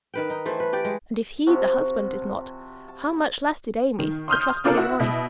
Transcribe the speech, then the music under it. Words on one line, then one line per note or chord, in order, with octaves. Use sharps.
And if he, the husband, did not, how much less did Aimee, the trustful wife?
D#3 B4 G5
D#4
E3 A3 C5
B4
G4 D5 G5
G#3
C3 F3 F#4
A5
D#3
C6 D#6 F6 G6
C4 D4 F4 A4 A#4
E4 F#4
B2 E4